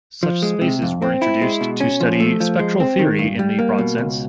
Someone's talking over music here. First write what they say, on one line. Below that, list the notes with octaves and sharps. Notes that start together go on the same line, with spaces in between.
Such spaces were introduced to study spectral theory in the broad sense.
F3
G#3
C3
F2
C4
E4
G#3
B2
C#4
F3
A3
F3
G#3
C4
D#3
G2
G3
A#3
B2
C#2